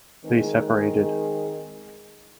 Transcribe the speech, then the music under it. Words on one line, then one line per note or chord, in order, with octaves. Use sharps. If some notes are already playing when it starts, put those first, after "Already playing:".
They separated.
D#3 G#3 C4 D#4 G#4 A#4